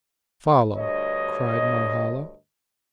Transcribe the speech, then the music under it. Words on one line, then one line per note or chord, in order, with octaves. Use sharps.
"Follow," cried Norhala.
D2 G2 C#5 D#5